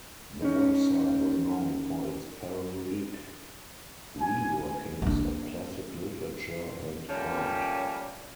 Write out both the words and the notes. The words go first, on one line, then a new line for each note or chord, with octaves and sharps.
The website was known for its parodic reworkings of classic literature and art.
C#4 D#4
G#5
A#3 D4
F3 G3 A3 A#3 C#4